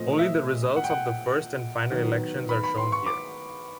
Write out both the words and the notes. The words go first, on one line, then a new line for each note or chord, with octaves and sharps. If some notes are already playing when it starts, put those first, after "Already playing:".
Only the results of the first and final elections are shown here.
Already playing: A#2 F3 A3 C4 D#5
E5
F#5
G5
F#5
D#3 F#3 B3
B5
B5
C6
C#6
D6